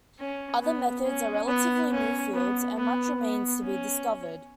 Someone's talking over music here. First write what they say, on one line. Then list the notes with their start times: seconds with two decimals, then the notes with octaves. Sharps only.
Other methods are relatively new fields and much remains to be discovered.
0.20 C#4
0.62 B3
1.06 C#4
1.48 B3
1.91 C#4
2.33 B3
2.77 B3
3.19 B3
3.63 C#4